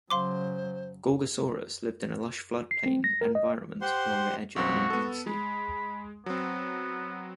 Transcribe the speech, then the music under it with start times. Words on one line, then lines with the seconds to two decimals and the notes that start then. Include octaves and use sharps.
"Gorgosaurus" lived in a lush floodplain environment along the edge of an inland sea.
0.10 C#3 F#3 C5 F5 C6 D6
2.71 C7
2.86 C4
3.04 A#6
3.21 A#4
3.35 D#5
3.82 G4 C5 F#5 C6
4.56 B1 F#2 C4 F#4
4.90 B3 A4
5.27 G#3 B5
6.26 F#3 B3 C4